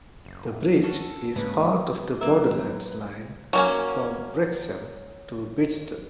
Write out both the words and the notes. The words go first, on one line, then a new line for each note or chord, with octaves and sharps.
The bridge is part of the Borderlands Line from Wrexham to Bidston.
F#1
C#4 F#4 A4
G#2 C#3 A#3 B4
F#3 A#3 A#4 B4 E5
F#3 A#3 C#4